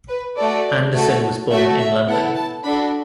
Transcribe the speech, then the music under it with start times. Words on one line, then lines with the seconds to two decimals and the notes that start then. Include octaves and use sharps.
Anderson was born in London.
0.08 B4
0.37 A3 F#4 A4 D5
0.94 A3 F#4 A4
1.50 A3 F#4 A4 E5
1.79 E5
2.07 B3 E4 A4 F#5
2.35 A5
2.64 D4 F#4 A4 B5